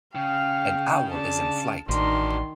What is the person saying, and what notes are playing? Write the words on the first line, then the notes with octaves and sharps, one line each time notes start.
An owl is in flight.
C#3 F5 G5
D4 A5
A1 D#3 D4 F#4 C5 C6